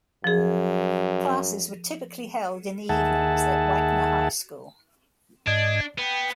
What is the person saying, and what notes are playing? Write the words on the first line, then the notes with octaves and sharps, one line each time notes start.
Classes were typically held in the evenings at Wagner High School.
F#2 F3 G#4
D#2 G#4 E5 F#5 A5
G#2 D4 D#5 G#6
B3 G5